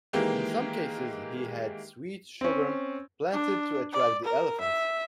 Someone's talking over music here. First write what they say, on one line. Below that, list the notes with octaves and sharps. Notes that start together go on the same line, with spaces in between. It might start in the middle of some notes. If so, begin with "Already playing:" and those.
In some cases he had sweet sorghum planted to attract the elephants.
D#3 E3 G#3 A#3 G4
C4 C#4
D4
D5
A#4
E5